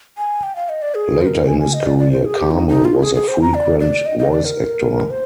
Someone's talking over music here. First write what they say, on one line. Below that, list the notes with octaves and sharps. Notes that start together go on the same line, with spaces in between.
Later in his career, Carmel was a frequent voice actor.
G#5
G5
F5
D#5
D5
G#4
C5
A#4
G#5
G#5
D#5
D5
D5
C5
G#4
G4
D#4
D#4
F4
G#4
G#4
C5
A#5
D5
D5
D#5
D#5
D5
A#4
C5